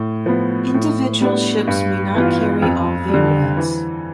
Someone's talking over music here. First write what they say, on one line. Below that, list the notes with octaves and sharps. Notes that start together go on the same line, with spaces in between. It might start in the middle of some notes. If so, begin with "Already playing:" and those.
Individual ships may not carry all variants.
Already playing: A2
F3 B3
A2
G3 B3 D4
G2
E3 B3 F4
F2
D3 G3
E3